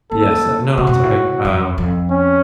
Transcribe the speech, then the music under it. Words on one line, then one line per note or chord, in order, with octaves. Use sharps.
Yes uh, no, no, it's okay. Um,
A#3 A4
A3 F#4
A#2
F#2
A2
F2
F2
C#4